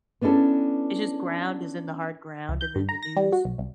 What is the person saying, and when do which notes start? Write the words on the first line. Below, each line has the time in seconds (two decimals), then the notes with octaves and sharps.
It's just ground as in the hard ground and then the news?
0.21 B3 C#4 D4 E4 A4
2.49 C#2
2.61 G6
2.76 G2
2.89 A#5
3.03 A#6
3.17 G3
3.32 F#4
3.45 B1
3.58 C2